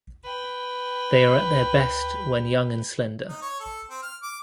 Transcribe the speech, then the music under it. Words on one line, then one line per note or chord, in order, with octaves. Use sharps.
They are at their best when young and slender.
B4 G5
D#4
C#5
A4
C4
F6
D6